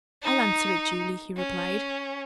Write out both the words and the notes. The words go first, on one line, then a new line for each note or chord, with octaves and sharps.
"I'll answer it, Julie," he replied.
D#4
C#4